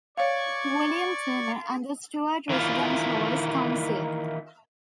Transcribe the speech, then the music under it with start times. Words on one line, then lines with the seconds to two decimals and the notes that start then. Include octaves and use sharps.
William Turner and the Stuart Residence Halls Council.
0.17 C#5 D5 F5 C#6 G#6
2.49 D#3 E3 E4 F4